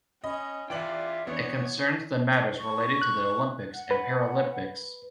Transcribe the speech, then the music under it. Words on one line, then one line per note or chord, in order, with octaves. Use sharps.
It concerns the matters related to the Olympics and Paralympics.
C#4 D#5 B5
E3 F4 D5 E5 G5 F#7
E3 B3 D4 C#5
C#6
F#6
F#5
B4